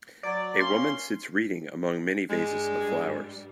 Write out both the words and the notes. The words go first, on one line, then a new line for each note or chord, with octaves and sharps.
A woman sits reading among many vases of flowers.
F#3 D5
A#3 C#4 C6
G2 G3 G#3